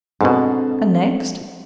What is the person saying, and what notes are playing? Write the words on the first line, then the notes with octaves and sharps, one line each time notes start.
"And next?"
G#2 B2 C4 D4 A4